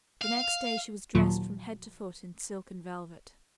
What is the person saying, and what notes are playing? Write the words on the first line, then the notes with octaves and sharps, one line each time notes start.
The next day she was dressed from head to foot in silk and velvet.
F5
D#2 A#2 F3 F#3